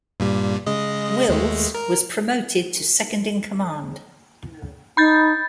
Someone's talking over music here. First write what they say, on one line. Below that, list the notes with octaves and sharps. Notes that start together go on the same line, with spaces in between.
Wills was promoted to second-in-command.
G2 A#2 G3
C#3 G#3 D#5
D#2 G#3 A3
A#4
D#4 B5 G6 A6